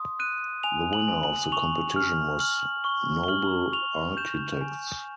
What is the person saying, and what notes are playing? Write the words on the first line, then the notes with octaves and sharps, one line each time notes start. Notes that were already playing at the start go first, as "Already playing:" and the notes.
The winner of the competition was Nobel Architects.
Already playing: C6 D#6
F#6 D#7
G#5 F7
F#7
G#5
F#7
C#6 F7
F6
F6 F#7
C#6 G7
G7
F6 F#7
C#6 F7
G6 E7
G#5